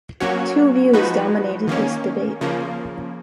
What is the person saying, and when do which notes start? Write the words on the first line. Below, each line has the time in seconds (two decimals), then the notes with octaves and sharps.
Two views dominated this debate.
0.20 F#3 A#3 C#4 F#4 C#5
0.93 F3 G#3 D#4 F#4 B4
1.67 D#3 A#3 C#4
2.41 C#3 F3 A#3